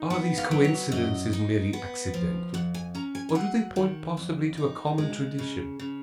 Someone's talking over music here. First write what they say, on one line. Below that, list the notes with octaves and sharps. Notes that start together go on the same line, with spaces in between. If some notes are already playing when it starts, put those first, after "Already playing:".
Are these coincidences merely accidental or do they point possibly to a common tradition?
Already playing: D#4
B3 F#5
F5
F#3
C#5
F#2 D#5
D#4
B3
F3
F2 F#5
G#5
C#4 A#5
G#5
G#5
F#3 F#5
D#3
F2
D#4
G#3
C#3
C#3